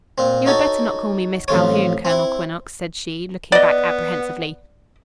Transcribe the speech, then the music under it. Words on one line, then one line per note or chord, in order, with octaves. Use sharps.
"You had better not call me Miss Calhoun, Colonel Quinnox," said she, looking back apprehensively.
A#2 C4
D#4 F#4 A4 C#5
A1 F2 F4 C#5
C4 E4
B3 D5 D#5